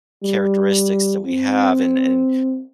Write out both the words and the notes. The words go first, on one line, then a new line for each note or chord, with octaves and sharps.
characteristics that we have, and and
G3
C4